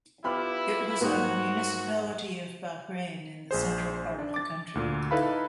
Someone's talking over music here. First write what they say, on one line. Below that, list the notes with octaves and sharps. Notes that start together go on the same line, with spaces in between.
It was a municipality of Bahrain in the central part of the country.
G3 B3 E4 F4 D5 B5 F6
G#2 A#3 F#4 C#5 D#5 F#5
A#1 G#4 C5
D4
D6 A6
D2 A#2
D#4 E4 A4 B4 F5 B5